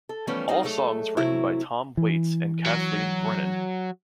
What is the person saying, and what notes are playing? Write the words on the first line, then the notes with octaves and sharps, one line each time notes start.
All songs written by Tom Waits and Kathleen Brennan.
A4
E3 F3 G3 A3 B3 C#4
G3 C4 D#4 F4 A#4 D#5
F#3 G#3 A3 A4
C3 E3 F#3 A3 E4
E3
F#3